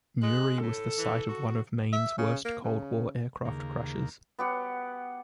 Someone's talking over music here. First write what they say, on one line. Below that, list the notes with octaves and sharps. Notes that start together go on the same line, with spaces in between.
Newry was the site of one of Maine's worst Cold War aircraft crashes.
G#3 F#6
A2 A4
E3
F#4
E5
C#3
A#3
C#3
D#2 C#3 A#3
B3 G4 F#5